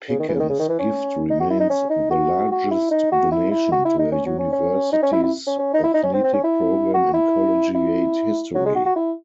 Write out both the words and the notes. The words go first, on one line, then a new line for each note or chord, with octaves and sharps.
Pickens' gift remains the largest donation to a university's athletic program in collegiate history.
C#3
D#3
E3
C#3
D#3
C#3
D#3
E3
C#4
D#4
F#4
E4
D#4
C#4
D#4
F#4
F#4
E4
D#4
F#4
E4
E4
F#4
E4
D#4
C#4
F#3
C#4
C#4
D#4
C#4
E4
E4
C#4
C#4
D#4
E4
D#4
C#4
C4
C4
C#4
E4
F#4
E4
E4
F#3
G#3
F#4
F#4
E4